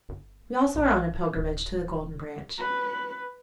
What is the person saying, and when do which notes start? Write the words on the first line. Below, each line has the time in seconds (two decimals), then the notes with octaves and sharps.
'We also are on a pilgrimage to the Golden Branch.'
0.09 G1
0.75 A#1
1.36 D1
2.58 B4